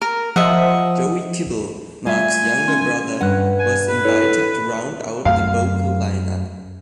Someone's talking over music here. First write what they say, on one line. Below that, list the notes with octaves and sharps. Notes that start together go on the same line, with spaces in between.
Joey Kibble, Mark's younger brother, was invited to round out the vocal lineup.
A#4
F3 D#5 E5 F#5
G3 A3 F4 E5 G#5
C#4 C6
G2 F#5 F#6
G#5
B4
E4 A4 C#5
F#2 A3 F5